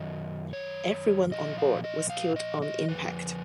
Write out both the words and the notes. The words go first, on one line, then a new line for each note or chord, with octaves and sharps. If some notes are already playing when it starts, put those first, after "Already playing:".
Everyone on board was killed on impact.
Already playing: F#2 D#3 F#3 D#5
C#5
A#2 F3 D#5
F5
D#5
F5
D#5
D#5
F2 F3 B4